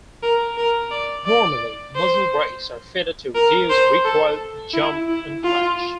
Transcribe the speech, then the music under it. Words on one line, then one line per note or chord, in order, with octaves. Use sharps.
Normally muzzle brakes are fitted to reduce recoil, jump and flash.
A#4
A#4
D5
D5
C5
A#4
C5
A4
E4
E4
F4